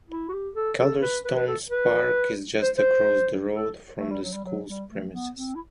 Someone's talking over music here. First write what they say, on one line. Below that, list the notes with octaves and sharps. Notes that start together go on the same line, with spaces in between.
Calderstones Park is just across the road from the school's premises.
E4
F#4
G4
A4
A4
B4
B4
B4
A4
B4
C5
C5
A4
A3
G3
F#3
G3
F#3
G3
A3
B3
C4
E4